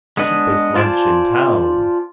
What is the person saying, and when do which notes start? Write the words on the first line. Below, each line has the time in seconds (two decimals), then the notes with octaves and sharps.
Cheapest lunch in town.
0.17 G#3 B3 D4 D#5
0.76 F4 C5 D5 G#5 A5